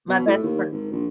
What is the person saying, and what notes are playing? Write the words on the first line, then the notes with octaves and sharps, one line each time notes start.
My best friend
B2
A2
D#2
G#1
A#1